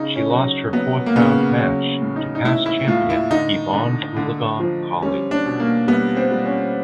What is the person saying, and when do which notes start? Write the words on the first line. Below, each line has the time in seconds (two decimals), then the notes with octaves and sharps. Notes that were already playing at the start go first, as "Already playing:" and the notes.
She lost her fourth round match to past champion Evonne Goolagong Cawley.
Already playing: C#3 D#4
0.16 C#4
0.30 F#3
0.73 F#3 B3
1.06 A#3
1.16 C#3 B3
1.59 F#3 C#4
2.02 A2
2.16 D#4
2.35 D#4
2.44 A2 E4
2.66 E4
2.87 A2 F4
3.10 E4
3.31 D3 D#4
3.74 D3
4.16 D3
4.59 F3
5.02 G3 C#4
5.31 D4
5.45 B2
5.60 A#3
5.88 G3 B3
6.17 C4
6.31 G3
6.45 C#4